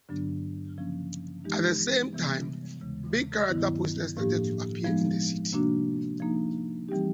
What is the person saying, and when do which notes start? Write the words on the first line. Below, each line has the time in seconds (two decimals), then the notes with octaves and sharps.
At the same time, big-character posters started to appear in the city.
0.09 G2 D3 F#3 B3 D4
0.77 C#3 F3 A#3 C#4
1.44 E3 G#3 B3 D#4 G4
2.13 C3 E3 G3 B3
2.81 D#2 C#3 E3 G#3
3.49 G2 D#3 F#3 B3 E4
4.17 A2 F3 A#3 D4 G4
4.85 F3 G#3 B3 D#4
5.53 C3 F3 A#3 D4 F#4
6.20 F3 A#3 D#4
6.89 E3 G3 C4 D#4 G4